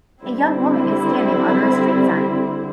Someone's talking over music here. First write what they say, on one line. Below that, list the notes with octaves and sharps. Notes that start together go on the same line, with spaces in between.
A young woman is standing under a street sign.
D3 G3 C4 E4